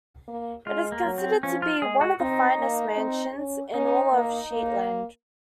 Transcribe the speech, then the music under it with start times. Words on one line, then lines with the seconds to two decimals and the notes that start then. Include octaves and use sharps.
It is considered to be one of the finest mansions in all of Shetland.
0.28 A#3
0.66 G#3 F4
0.92 A#3
1.04 F#3
1.18 C4
1.43 F3 C#4
1.62 F4
1.82 G#3 G#4
2.01 F#4
2.20 C4 D#4
2.59 A#3
2.97 C4
3.36 C#4
3.74 C#4 D#4
4.12 A#3
4.51 A#3